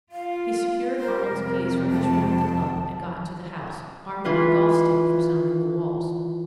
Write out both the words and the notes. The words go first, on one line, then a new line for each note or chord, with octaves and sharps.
He secured Arnold's keys from his room at the club and got into the house, armed with a golf-stick for sounding the walls.
F4 F5
A#4 C5
F2 C3
A5
E3 F4 B4